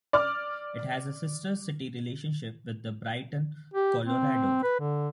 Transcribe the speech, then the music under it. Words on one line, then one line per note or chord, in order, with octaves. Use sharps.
It has a sister city relationship with Brighton, Colorado.
D5 D6 F6
G4
C4
B4
D3